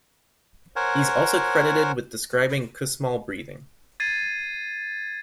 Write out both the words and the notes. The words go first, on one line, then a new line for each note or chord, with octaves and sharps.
He is also credited with describing Kussmaul breathing.
A#4 C5 C#5 F#5 G#5
G#6 A6 C7 D#7